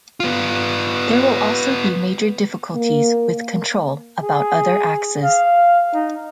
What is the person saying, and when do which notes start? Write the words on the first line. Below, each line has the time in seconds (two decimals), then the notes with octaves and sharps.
There will also be major difficulties with control about other axes.
0.20 B3 F4
2.74 A#3
4.23 G#4
5.22 F5
5.93 D#4